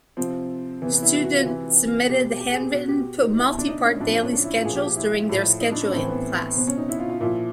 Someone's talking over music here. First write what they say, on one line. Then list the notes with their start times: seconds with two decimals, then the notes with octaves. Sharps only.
Student submitted hand-written multi-part daily schedules during their scheduling class.
0.17 C3 F3 C4
0.82 E3 B3
0.85 C3
0.92 B3
1.02 E4
1.13 F#4
1.25 F#4
1.34 F4
1.46 C3 E3
2.09 B2 G4
2.30 G4
2.41 G4
2.52 G#4
2.62 G4
2.73 B2 F#4
2.88 G4
3.21 D#4
3.37 B2 E4
3.47 E4
3.58 D4
3.69 D#4
3.85 C#4
4.00 A2 D4
4.04 F3
4.12 D4
4.23 C#4
4.33 D4
4.44 E4
4.55 F4
4.64 A#2 G#4
4.70 F3
4.75 G4
4.87 G4
4.97 E4
5.29 A2 F3
5.61 D#4
5.72 D4
5.82 C#4
5.93 A2 E3 C4
6.08 B3
6.56 B2 C4
6.67 C#4
6.78 D#4
6.89 E4
6.99 F4
7.10 F4
7.20 A#2 F3 E4